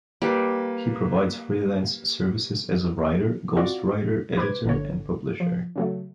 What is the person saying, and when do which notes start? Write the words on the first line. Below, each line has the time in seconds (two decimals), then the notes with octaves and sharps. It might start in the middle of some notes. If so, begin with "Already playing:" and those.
He provides freelance services as a writer, ghost-writer, editor and publisher.
0.22 G3 A#3 B4
3.56 C4 F4 F#4 D5
4.37 B4 C5 D6 G#6
4.65 G1 D3 C#5
5.40 F3
5.76 C#3 F#3 A3